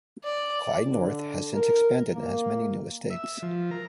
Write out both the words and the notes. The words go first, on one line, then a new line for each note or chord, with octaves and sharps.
Clyde North has since expanded and has many new estates.
D5
D3
A#4
A#3
E5
F3
A#4